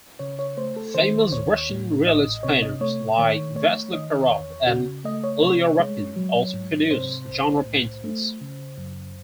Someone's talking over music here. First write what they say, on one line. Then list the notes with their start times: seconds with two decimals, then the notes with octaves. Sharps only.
Famous Russian realist painters like Vasily Perov and Ilya Repin also produced genre paintings.
0.19 C#3 C#5
0.39 C#5
0.57 A3 C5
0.76 A4
0.94 D#3 C5
1.31 D#2 C#5
1.70 A2
2.06 A1 D#5
2.43 C3 C#5
2.62 D#5
2.81 A3 C#5
3.18 D#3 C#5
3.55 A3 C#5
3.93 D#3 D#5
4.30 E2 C#5
4.67 C#3 F#4
5.04 A3 D#5
5.24 C#5
5.42 C3 C#5
5.80 G#3
6.16 F#3
6.54 G#2
6.91 C3 C5
7.29 C2
7.66 A2
8.04 A3
8.41 C#3
8.78 F#2